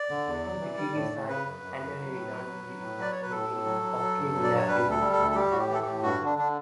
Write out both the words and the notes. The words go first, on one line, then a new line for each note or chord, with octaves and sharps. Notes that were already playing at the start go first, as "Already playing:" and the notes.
With the Treaty signed, Antony returned to the East, leaving Octavia in Italy.
Already playing: D5
D3
E2
F#3
E3
G3
A2
A2
C#3 B4
F#2
F#2
F#2
F#3
A2
F#3
F#3
F#3
A2
F#3 D5
F#3 C#5
B4
A2 A4
A2
F#3
F#3
F#3
G2
F#3
D5
G2 C#5
G3 B4
D2
A4
G3
D2 A4
A4
G3 G4
A2 F#4
G4
E3
A4
G4
A2
G2 F#4
D3
D4
D3 D4